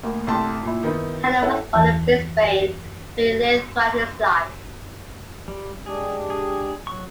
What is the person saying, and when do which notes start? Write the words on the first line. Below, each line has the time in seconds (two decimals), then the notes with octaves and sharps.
Hanlon was born in Brisbane, where he lived throughout his life.
0.03 D2 A#3
0.27 C2 A3 G5 A5 C6
0.63 A#2 E4
0.83 D#3 B3 D#4 E4
1.42 C#4 E4 A4 F#5
1.74 E2 E3 A5
5.48 G3
5.86 G#3 D4 G4 G#4
6.30 G#4
6.87 F#3 C#6